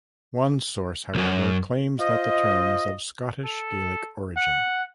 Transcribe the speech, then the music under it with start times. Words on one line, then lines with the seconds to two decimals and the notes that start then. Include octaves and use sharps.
One source, however, claims that the term is of Scottish Gaelic origin.
1.15 B1 F#2
1.99 F4 C5 D#5
3.44 A4
4.36 F#5